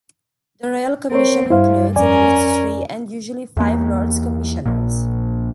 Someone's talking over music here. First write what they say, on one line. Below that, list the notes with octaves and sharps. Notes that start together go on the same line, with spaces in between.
The Royal Commission includes at least three-and usually five-Lords Commissioners.
C4 A#4 C#5
G2 E4 C5 F5
F2 C#4 A#4 D5 G#5
E2 A#3
A#1 A#2